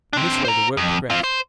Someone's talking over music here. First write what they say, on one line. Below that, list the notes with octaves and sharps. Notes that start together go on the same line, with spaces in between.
In this way the work progressed.
C4 D4
C5 A#5
F2
C4 F4
C5